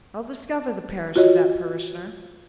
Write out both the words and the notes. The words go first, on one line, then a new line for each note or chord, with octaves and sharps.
I'll discover the parish of that parishioner.
F4 F#4 C#5 D#5